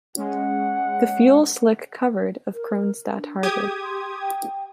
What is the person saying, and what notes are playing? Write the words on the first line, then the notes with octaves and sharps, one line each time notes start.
The fuel slick covered of Kronstadt harbor.
G#3 C#4 F#5
A#4
D4
G4 G#4 D#6 G#6
C6
G5